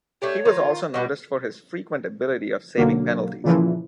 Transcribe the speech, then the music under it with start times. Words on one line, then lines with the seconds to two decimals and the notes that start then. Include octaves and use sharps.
He was also noticed for his frequent ability of saving penalties.
0.22 A3 D4 G4 C#5
0.45 D#3 F4 A#5
0.94 B2 G3 D#5 F#5
2.78 B1 D3 F#3 A#3
3.44 A#2 C#3 E3 F3